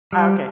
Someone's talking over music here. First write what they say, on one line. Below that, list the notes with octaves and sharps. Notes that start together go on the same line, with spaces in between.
Oh, okay.
G3